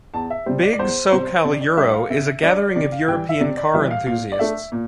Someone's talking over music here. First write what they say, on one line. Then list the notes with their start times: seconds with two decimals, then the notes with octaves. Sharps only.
Big SoCal Euro is a gathering of European car enthusiasts.
0.14 E2 A5
0.30 E5
0.46 C3 G3 C5
0.63 D5
0.73 D5
0.79 E2 C5
1.12 C3 G3 C5
1.45 C3 D5
1.61 D5
1.77 G3 D4 E5
1.94 F5
2.10 C3 E5
2.43 G3 D4 D5
2.75 C3 D5
2.92 F5
3.08 E3 G3 G5
3.29 E5
3.40 C3 D5
3.57 D5
3.74 E3 G3 E5
3.91 F5
4.07 A#2 F5
4.32 D5
4.39 A3 D4 E5
4.72 A#2